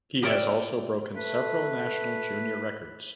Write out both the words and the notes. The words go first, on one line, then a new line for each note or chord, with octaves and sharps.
He has also broken several national junior records.
G4 A#4 C#5 D5 E5
A3 B4